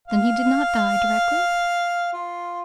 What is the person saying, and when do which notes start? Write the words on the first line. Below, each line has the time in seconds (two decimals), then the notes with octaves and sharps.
'Then he did not die directly?'
0.08 F5
2.13 F4